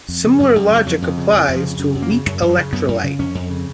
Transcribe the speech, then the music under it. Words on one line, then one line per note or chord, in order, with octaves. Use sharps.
Similar logic applies to a weak electrolyte.
F2
C#3
F#2
F#2
C#3
G#3
F2 F#3
F2
C#3
F2 F3
F2
F3
C#3
F#2
F#2
A#3
C#3
F#2 F#3
F#2
F#3
C#3
F#2 B3
F#2
C#3
F2 C#4
F2
C#3